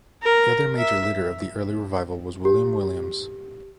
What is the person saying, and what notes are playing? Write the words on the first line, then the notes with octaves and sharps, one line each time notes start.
The other major leader of the early revival was William Williams.
A#4
E5
G4